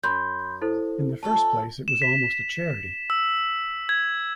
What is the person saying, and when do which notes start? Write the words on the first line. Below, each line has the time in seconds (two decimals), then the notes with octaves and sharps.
In the first place it was almost a charity.
0.03 F#2 B5 C6 G6
0.61 E4 A4 C5
1.23 F2 C#4 A4 A5
1.88 E7
2.02 B6
3.10 E6
3.89 G#6